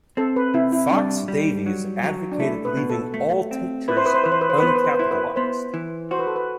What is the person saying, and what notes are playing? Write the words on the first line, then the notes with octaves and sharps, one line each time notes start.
Fox-Davies advocated leaving all tinctures uncapitalized.
C4 A4
B4
C3 E4
E4
G3 D4
G3
F#3
F#3
D4
A3 E4
B4
B2
A4
A3
C4
E4 B4
C5
B4
C5
E3 B4
C5
B4
C5
B4
B3
C5
B4
C5
B4
E4 C5
B4
B3 C5
E3
F#4 C5
B4
A4
B4